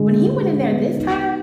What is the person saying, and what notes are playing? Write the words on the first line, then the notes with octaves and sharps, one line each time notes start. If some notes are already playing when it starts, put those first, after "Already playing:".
When he went in there this time,
Already playing: D3 G#3
G#3
B3
D#4